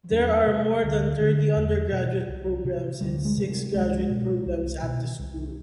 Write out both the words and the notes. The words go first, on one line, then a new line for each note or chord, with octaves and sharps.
There are more than thirty undergraduate programs and six graduate programs at the school.
E2 F#3
C3
D2
D3
E2
B2
C2
C3
D2 G3
G#3
C3
G3
C#2 G#3
B2
C2
B2
C2